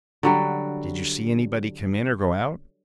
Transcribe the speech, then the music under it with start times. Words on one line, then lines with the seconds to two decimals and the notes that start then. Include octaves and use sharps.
"Did you see anybody come in or go out?"
0.23 D3 F#3 G3